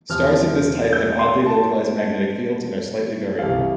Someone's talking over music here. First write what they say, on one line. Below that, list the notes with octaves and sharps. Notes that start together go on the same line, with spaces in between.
Stars of this type have oddly localised magnetic fields and are slightly variable.
E2 C3 F3 F6
G6
C6
A5
C2 C3 E3 G3 F5